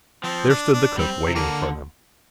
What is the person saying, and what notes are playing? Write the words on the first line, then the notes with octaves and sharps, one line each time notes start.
There stood the cook waiting for them.
F3 C4
D4
D4
G3 C4
C3
D3 A#3